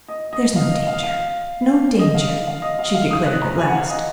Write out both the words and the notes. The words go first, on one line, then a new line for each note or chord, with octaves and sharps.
"There's no danger--no danger!" she declared at last.
D#5
D#5
F5
D#5
F5
F5
D#5
F5
F5
D#5
F5
F5
D#6
F#6
A#5
G#5
F#5
F5
D#5